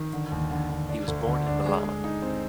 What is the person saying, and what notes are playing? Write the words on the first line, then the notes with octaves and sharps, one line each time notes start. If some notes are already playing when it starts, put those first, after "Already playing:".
He was born in Milan.
Already playing: D#3
D3
D#2
D3
D3
D4
D2
D3
D4
G#3
G#3
D#4
C4